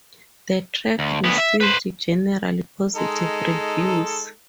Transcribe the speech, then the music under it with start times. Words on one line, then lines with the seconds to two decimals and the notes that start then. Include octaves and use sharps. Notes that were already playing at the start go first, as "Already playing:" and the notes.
The track received generally positive reviews.
0.99 D2
1.24 D2 B3
1.38 E5
1.61 B4 C5
2.95 G#3 D#4 A4